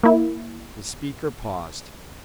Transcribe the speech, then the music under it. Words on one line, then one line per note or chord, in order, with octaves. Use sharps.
The speaker paused.
A#3 E4